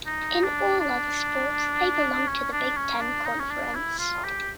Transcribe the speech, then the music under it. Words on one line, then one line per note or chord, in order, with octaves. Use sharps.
In all other sports, they belong to the Big Ten Conference.
D#4
D4
D4
C#4
D4
C#4
D4
D#4
C#4
D4
E4
F4
G4